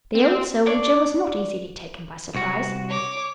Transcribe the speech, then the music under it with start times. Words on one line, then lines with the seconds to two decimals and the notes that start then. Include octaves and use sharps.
The old soldier was not easily taken by surprise.
0.15 C4
0.66 D4 C#5 D5
2.34 C2 F#4
2.89 C#5 D6